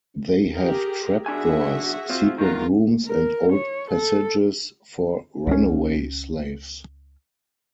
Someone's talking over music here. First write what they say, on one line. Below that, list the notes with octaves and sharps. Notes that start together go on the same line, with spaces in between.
They have trap doors, secret rooms, and old passages for runaway slaves.
G4 G#4 A#4
B1 D4 F#4 G#4 E5 G#5
C4 F4
D#3 F#3 F4 A#4
A#4
C#5
A4
C#2 F#3 C#4